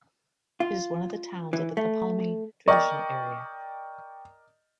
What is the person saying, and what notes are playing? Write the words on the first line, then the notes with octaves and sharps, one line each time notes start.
It is one of the towns of the Kpalime Traditional Area.
F4
E3
A3
A#4 D5 D#5 G5 C#6